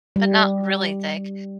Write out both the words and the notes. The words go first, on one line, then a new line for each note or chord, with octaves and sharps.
but not really thick.
G3